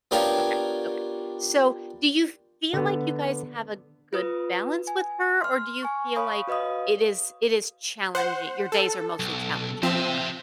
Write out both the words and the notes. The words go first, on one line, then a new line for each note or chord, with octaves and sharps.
Okay, okay. So, do you feel like you guys have a good balance with her? Or do you feel like it is it is challengi your days are mostly challenging with her?
B3 D4 F4 G4 A#4 C#5
D3 B3
F4 B4 D#6
G#5
C6 F6
G#5 C#6
C#5 F5 B5 C#6 D#6
F#4 B4 D#5 F5 D#6
C5 F#5
A4
B1
F3 C4 C5 E5